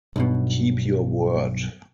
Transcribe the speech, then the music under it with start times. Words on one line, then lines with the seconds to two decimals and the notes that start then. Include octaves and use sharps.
Keep your word.
0.16 B1 G2 B2